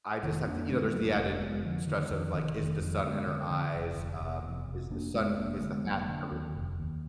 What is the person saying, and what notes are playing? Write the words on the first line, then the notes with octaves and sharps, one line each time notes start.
I just have to you know, there's the added stress of, like, is the sun in her eyes, um, is the sun is the hat covering
F1 D#3
F2 A#3 D4
D3 G#3 B3
F1 F#3 A#3
F1
F1 G#3 B3
F2 D3 F3
D3 D#3
F2 D#3
F1 D#3
F1 D#3
F2 D#3
D3 G#3 B3
D3
D3
F1
F1
F1
F1
F1
F1 A#3 D4
F1 G#3 B3
F1 A#3 D4
D3 G#3 B3
F1 F#3 A#3
D3
D#2
F1
D#2